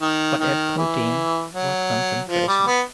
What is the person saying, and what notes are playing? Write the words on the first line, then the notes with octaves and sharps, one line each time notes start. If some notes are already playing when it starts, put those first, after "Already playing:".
But at thirteen--what concentration!
D#3
D#3
E3
F#3
F3
G3
B3